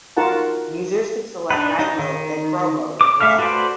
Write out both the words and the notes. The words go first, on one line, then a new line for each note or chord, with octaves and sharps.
Users can select Night mode and Pro mode as well.
D#4 F4 F#4 A#4 F#5 A5
D4 D#4 B4
D#4
D#3
D6
A3 E5 F5 F6
F#4 A4 B4 C5 D5